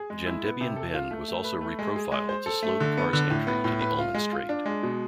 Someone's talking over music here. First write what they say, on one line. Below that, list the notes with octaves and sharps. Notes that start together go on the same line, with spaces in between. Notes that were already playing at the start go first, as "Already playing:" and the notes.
Gendebien Bend was also re-profiled to slow the cars' entry to the Ullman straight.
Already playing: G#4
G#3
E4
B3
C3
A4
F4
A3
A3
B4
A3
G#3
G#4
G#3
C5
A4
A3
D3
B3
D3
A2
B3
A2
B4
F4
G#3
F4
D4
G#3
B2